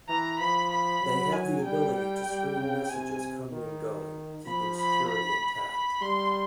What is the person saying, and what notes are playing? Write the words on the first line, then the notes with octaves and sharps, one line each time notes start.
They have the ability to screen messages coming and going keeping security intact.
E3 A#5
F3 B5
B5
F#3
G#5
G3 G5
G5
G3
C#3
C3 G#5
D#3
F3 B5
B5
B5
B5
G3 C6